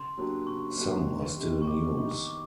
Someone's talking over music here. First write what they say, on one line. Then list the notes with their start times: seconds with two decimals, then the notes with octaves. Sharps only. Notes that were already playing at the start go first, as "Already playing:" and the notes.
Some are still in use.
Already playing: C#3 C6
0.18 F#3 A#3 D4 G4
0.47 C#3 C#6
0.76 F#3 A#3 D4 G4
1.07 D#3
1.36 G3 B3 D#4 G4
1.62 C#6
1.67 D#3 D6
1.97 G3 B3 D#4 G4 C#6
2.27 D6